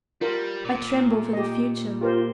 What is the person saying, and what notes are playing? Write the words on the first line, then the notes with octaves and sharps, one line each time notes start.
I tremble for the future.
G3 F4 A#4
A#2
G4 D#5
F4 G4 A#4 C5